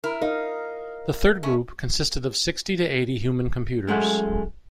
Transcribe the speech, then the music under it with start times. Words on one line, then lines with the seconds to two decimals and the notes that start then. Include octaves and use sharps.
The third group consisted of sixty to eighty human computers.
0.04 E4 A#4
0.22 D#4 A#4 D#5 F5
1.43 A3 C#4
3.87 F#2 G#3 A3 F#5